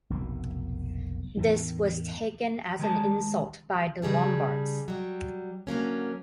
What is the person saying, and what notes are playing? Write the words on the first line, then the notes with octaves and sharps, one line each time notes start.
This was taken as an insult by the Lombards.
F1 B1 A#2
E2 A2 D#3
D#3 G#3 A5
C#3 G3 G#4 A5
F#3 G3
D3 F#3 A#3 C#4